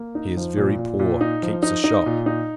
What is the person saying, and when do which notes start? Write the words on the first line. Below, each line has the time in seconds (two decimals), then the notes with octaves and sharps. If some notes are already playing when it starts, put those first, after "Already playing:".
He is very poor; keeps a shop.
Already playing: A#3
0.15 D#4
0.37 F3
0.57 A#2
0.78 A#2
1.00 A#2
1.21 D#4
1.43 F3
1.63 D#4
1.84 D#4
2.06 A#2
2.26 D#4